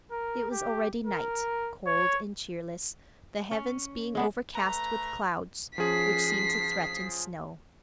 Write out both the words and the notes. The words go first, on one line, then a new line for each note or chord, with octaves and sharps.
It was already night, cold and cheerless, the heavens being overcast with clouds which seemed to threaten snow.
A#4
G4
A#4
C#5
C#4
G#3 B3 D4
A3 B4 A#5
F3 C#4 G#4 B6 C7